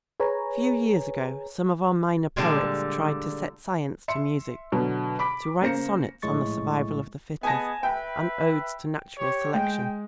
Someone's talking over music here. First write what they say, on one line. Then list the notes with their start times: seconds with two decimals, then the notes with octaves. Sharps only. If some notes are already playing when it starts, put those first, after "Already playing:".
A few years ago some of our minor poets tried to set Science to music, to write sonnets on the survival of the fittest and odes to Natural Selection.
0.20 G#4 B4 C#5 G#5 A#5
2.37 A#2 D3 E3 G3 G#3
4.08 E5 C6 C#7
4.72 B2 D3 F#3
5.19 B5 D6 B6
5.62 C#3 A#3 C5 A#6 C#7
6.22 A#1 A2 G#3 C#6 A6
7.43 B3 G#4 D#5 G#5 A5 A#6
7.83 B4 E5 G5
9.18 G4 C#5
9.54 G#3 G5